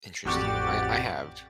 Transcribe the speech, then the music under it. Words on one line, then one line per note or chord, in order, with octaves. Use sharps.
Interesting, I I have
A1 F2 F#4 G4 D5 A6